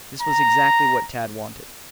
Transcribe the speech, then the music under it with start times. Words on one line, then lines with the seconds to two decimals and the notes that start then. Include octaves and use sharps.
This was exactly what Tad wanted.
0.22 A#5